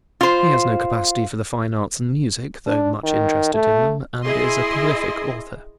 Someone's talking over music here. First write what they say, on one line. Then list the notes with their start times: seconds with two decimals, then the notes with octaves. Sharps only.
He has no capacity for the fine arts and music, though much interested in them, and is a prolific author.
0.21 F4 C5
2.67 D4
3.04 D#3
3.54 A3
4.22 E4 G#4 D#5 C6